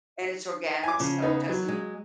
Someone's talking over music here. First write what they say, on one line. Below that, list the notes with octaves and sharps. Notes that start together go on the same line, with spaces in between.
and it's organic so it doesn't, uh
G#5 D6
C#3 F3
B3 D#4
F#3
G#3